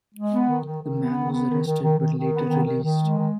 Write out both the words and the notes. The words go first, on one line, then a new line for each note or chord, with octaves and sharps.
The man was arrested but later released.
G#3
B3
D#3
D#3
D#3
B3
D#3
B3
D#3
D#3
D#3
D#3
D#3
B3
D#3
D#3
D#3
G#3
D#3